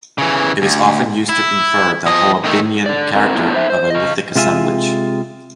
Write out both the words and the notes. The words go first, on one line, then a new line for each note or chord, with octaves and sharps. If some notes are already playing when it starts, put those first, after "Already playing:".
It is often used to infer the Hoabinhian character of a lithic assemblage.
C#3 E3
D2
E4
F3 D#5
D#3 A3
D3 D5
D3 C4 A#4
A3 B3 C#4 D4 E4
D#4 C5 E5
C5
C#3 D#5
C3 G#3 F4 E5 G#5